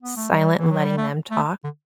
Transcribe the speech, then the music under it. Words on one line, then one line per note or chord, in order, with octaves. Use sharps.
silent and letting them talk
B3
A3
G3
E3
F#3
G3
A3
A3
D3